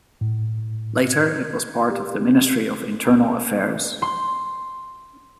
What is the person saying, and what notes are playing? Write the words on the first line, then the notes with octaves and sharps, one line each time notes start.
Later, it was part of the Ministry of Internal Affairs.
A2
G#6
G4
C4
C6